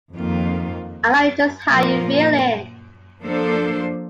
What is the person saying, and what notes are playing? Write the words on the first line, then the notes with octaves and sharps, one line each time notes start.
I know just how you're feeling.
F2 D#3 A#3 F4
A#2 F3 A#3 F4 A#4
F3 A#3 D4 A4 C5